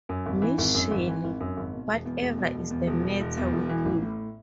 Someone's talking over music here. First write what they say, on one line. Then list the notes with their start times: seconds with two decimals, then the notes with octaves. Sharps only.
Miss Shirley, whatever is the matter with you?
0.09 F#2
0.26 G#1
0.42 E3
0.58 G#1
0.74 F#2
0.91 G#1
1.08 E3
1.24 G#1
1.40 F#2
1.57 G#1
1.73 B2
1.90 E1
2.05 E2
2.22 E1
2.38 B2
2.55 E1
2.70 E2
2.87 E1
3.04 B2
3.21 E1
3.37 E2
3.53 E1
3.69 E3
3.85 A1
4.02 A2